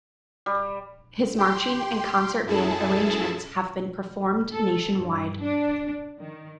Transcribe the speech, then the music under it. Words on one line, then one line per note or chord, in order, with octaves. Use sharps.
His marching and concert band arrangements have been performed nationwide.
G3
G4 G5 C6
F#2 E4 G#4 A4 A5
A4
G2
D4
D#3